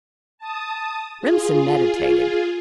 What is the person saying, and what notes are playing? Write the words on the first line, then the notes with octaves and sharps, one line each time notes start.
Remsen meditated.
A5 D#6
F4 G#4